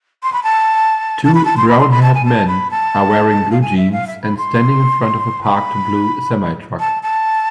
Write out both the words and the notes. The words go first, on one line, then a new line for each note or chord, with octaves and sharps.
Two brownhaired men are wearing blue jeans and standing in front of a parked blue semitruck.
C6
B5
A5
A5
B5
A5
C6
B5
C6
B5
A5
G#5
A5
B5
A5
F5
G#5
E5
F5
E5
B5
C6
B5
A5
A5